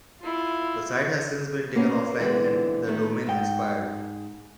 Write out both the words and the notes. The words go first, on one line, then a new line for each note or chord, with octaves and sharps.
The site has since been taken offline and the domain expired.
E4 F4
A#3 B3 C#4
D3 E3 G#3 B3 C4
D#3 A3
G#2 G5